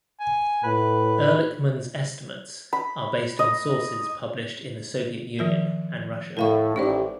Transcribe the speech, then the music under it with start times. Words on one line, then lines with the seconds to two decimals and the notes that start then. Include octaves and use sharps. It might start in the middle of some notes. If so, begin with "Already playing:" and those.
Erlikman's estimates are based on sources published in the Soviet Union and Russia.
0.20 G#5
0.64 A2 B4
2.73 B5
3.39 D#5
5.39 D#3 F3 A#4
6.37 A2 A#4 F5 C#6
6.76 A1 D#4 G4 C5 D5